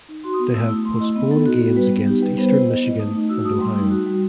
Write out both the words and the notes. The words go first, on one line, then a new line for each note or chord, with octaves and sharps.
They have postponed games against Eastern Michigan and Ohio.
D#4
F#4 C6
D#6
B3
D#6
A3 E6
E4
A3 C6
E4 D#5
B3
D#4 A4
F#4
B3
G3 B4
B3
D#4 G4
G3 B4
B3 C5
B4
E4 C5
B3 D#5
E4
A3 D#6
D#4
F#4 E6
A3 D#6
G3 C6
D#4
F#4
G3